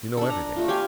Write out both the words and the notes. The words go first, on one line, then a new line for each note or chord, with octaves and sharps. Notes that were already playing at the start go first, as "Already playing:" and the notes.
You know everything.
D4 A4
A#5
A3 F4
G4 F5 G5 G#5